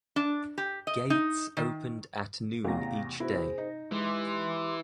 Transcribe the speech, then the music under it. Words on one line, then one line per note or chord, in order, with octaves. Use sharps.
Gates opened at noon each day.
D4
G4
D#5
D#4
D#3
A1 E2 C3 F5 G5 A#5 A#6
B3 E4 F#4 G#4 C5
D#4
E3 G#3 G4 C6 D6